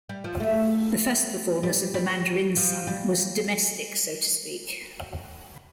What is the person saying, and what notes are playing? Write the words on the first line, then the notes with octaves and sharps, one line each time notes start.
The first performance of "The Mandarin's Son" was "domestic," so to speak.
G3
F3
A3
G3
G3
F3
G3